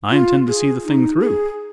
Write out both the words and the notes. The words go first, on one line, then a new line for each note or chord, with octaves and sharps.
I intend to see the thing through.
F4
G#4
D#4
G#4